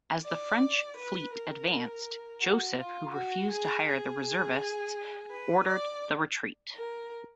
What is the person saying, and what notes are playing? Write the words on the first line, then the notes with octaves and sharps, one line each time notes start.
As the French fleet advanced, Joseph, who refused to hire the reservists, ordered the retreat.
D5
B4
A#4
F#4
F4
F#4
G#4
G#4
B4
D5
A#4